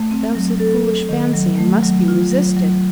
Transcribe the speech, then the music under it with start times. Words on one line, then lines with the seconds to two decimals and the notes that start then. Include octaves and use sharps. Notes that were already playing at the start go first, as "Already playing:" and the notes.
But that was a foolish fancy, and must be resisted!
Already playing: A3
0.11 C4
0.35 F#3
0.60 A4
0.85 A4
1.09 D#3
1.33 F#3
1.58 A3
1.83 F#3
2.08 F4
2.31 F#3
2.57 F#3